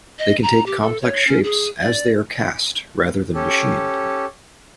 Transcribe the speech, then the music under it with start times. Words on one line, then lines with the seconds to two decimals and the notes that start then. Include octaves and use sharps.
They can take complex shapes, as they are cast, rather than machined.
0.19 D#5
0.42 A#5
0.66 G4
0.82 A4
1.02 C#5
1.27 C#4
1.44 G#4
1.81 D5
3.34 C#4 G4 A4